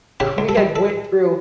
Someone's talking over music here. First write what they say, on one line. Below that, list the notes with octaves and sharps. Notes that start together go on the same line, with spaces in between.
we had went through
C#3 G4
C#2
A4
G3
A4